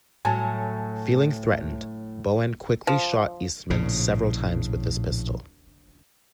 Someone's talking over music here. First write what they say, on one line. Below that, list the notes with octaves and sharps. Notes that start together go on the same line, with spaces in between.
Feeling threatened, Bohan quickly shot Eastman several times with his pistol.
A2 F#3 G#5 A5
F3
A#1 A2 C#3